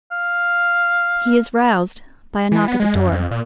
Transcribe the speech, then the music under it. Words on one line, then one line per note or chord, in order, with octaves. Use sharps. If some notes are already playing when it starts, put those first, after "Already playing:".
He is roused by a knock at the door.
F5
E3
B3
G#3
F#2
F2
A#2